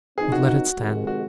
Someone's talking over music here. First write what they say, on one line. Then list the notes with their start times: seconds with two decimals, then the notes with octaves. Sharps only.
But let it stand.
0.17 F#2 F3 C4 D#4 G#4
0.32 F#4
0.48 F#4
0.77 F2 C3 D#3 G#3
1.07 F#4